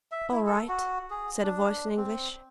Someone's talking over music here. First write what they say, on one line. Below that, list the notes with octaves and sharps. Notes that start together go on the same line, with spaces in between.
"All right," said a voice in English.
E5
E4
A4
F#4
G#4
D4
C4